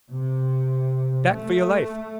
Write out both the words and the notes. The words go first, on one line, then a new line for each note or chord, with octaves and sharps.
"Back for your life!"
C3
A3